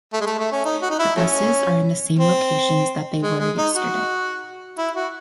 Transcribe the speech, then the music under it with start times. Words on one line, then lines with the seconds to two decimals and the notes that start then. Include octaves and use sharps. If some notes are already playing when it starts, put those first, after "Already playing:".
The buses are in the same locations that they were yesterday.
0.13 A3
0.21 G#3
0.26 A3
0.39 A3
0.52 C#4
0.65 D#4
0.82 F#4
0.90 D#4
0.99 E4
1.16 F#3 A3 C#4
2.19 C4
3.23 G#3
3.40 G#3
3.58 D#4
3.75 F#4
4.78 E4
4.96 F#4